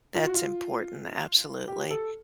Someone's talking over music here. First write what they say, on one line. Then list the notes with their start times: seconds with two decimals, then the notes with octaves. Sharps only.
That's important, absolutely.
0.15 F4
0.24 F#4
0.34 F4
1.68 G4
1.90 A4